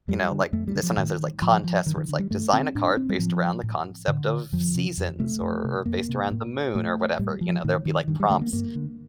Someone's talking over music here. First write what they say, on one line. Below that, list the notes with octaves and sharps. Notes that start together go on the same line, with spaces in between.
you know like, this one has those, like, contests where it's, like, "Design a card based around the concept of seasons," or or "based around the moon," or whatever, you know, there'll be like prompts,
F2 G3
D3
F2 A3
G3
D3
F3
A2 D#3
A2 F3
F3
G2 D#3
D#3
D3
G3
G2 A3
D3 C4
A2 D4
C4
G3
A2 F3
A2
A2 D3
F2 F3
C3
F2
C3 A3
F2
C3
F2 A#3
C3
A2
A2 A3
A2 G3
F3
A2 D#3
D#3
G2 D#3
G3
D3 A3
A#3
G2 A#3
D3